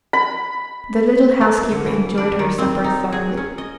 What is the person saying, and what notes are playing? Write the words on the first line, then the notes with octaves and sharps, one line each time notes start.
The little housekeeper enjoyed her supper thoroughly.
B5
A#3
D3
E3
D4
D#3
C4
D#4
G#4
C#4
D#5